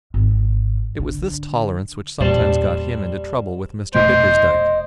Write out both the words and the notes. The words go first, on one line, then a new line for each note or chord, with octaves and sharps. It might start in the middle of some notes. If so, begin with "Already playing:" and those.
It was this tolerance which sometimes got him into trouble with Mr Bickersdyke.
G#1
D3
E2 A#2 G3 C#4 C5 A5
F1 B2 A3 C5 D#5 G5